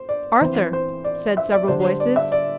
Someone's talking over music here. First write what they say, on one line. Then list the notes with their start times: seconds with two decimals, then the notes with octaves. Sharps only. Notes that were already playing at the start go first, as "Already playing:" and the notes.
"Arthur," said several voices.
Already playing: C5
0.09 D5
0.41 E3 C4 C5
0.73 C5
1.04 D5
1.37 E5
1.53 D5
1.68 D3 G3 D4 C5
1.85 C5
2.00 D5
2.16 E5
2.32 D5